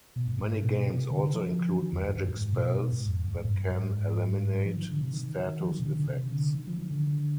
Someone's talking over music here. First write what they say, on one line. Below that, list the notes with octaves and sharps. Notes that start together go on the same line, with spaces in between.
Many games also include magic spells that can eliminate status effects.
B2
G#2
G#2
B2
C3
D3
F3
D#3
F2
G2
G2
G#2
B2
B2
G#2
F2
G2
G#2
G2
G#2
F3
D#3
D3
C3
D#3
F3
D#3
C3
D3
D3
C3
D3
D#3
F3
D#3
D3